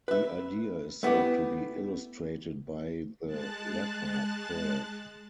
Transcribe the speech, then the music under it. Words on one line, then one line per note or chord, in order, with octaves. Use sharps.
The idea is said to be illustrated by the Laffer curve.
B4 E5
A3 B3 E4 G4
G#3 A5 F#6 A6